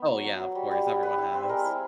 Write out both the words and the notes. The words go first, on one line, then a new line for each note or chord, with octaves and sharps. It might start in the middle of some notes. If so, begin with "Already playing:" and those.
Oh, yeah, of course. Everyone has.
Already playing: B3
F#3
F#3
F#3
G3
G3
G3
G3 B4
E4
C4
G#3 A#4
E4